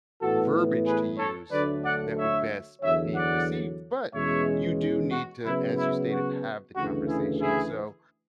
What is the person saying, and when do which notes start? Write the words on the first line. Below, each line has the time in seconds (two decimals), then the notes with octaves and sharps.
verbiage to use that would best be received, but you do need to, as you stated, have the conversation so,
0.20 A2 E3 B3 F#4 A4
0.86 G#4 B4
1.18 A4 C#5
1.51 D2 D3 F#3 A3 B4 D5
1.84 D5 F#5
2.16 C#5 E5
2.82 E2 D3 F#3 C#5 E5
3.15 D5 F#5
4.13 E2 B2 G#3 C#4 C#5 E5
5.11 F#4
5.44 C#3 F#3 B3 E4
5.77 E4
6.09 F#4
6.75 D2 C#3 E3 F#4
7.07 E4 G#4
7.40 E4 G#4